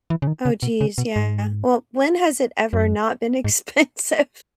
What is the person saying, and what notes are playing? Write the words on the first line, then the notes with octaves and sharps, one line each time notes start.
Oh, jeez, yeah. Well, when has it ever not been expensive?
E3
C#3
D#3
C#3
B2
C#3
B2
G#2
F#2
G#2